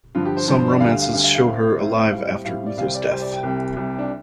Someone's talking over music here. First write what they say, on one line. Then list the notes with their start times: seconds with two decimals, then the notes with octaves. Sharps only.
Some romances show her alive after Uther's death.
0.15 G2 D3 F3 F4
0.25 G4
0.37 C5
0.48 G2 D3 F3 C5
0.59 C5
0.70 D5
0.80 D2 D3 G3 F5
0.91 F5
1.02 F5
1.13 D2 D3 G3 F5
1.24 F5
1.35 F5
1.46 A2 A3 C4
1.79 A2 A3 C4
2.12 A2 G3 C4 F5
2.45 A2 G3 C4 F5
2.66 D5
2.77 C2 C3 G3 C4 F5
2.95 D5
3.10 C2 C3 G3 C4 C5
3.22 D5
3.32 G5
3.43 C2 C3 G3
3.76 C2 C3 G3
3.98 D4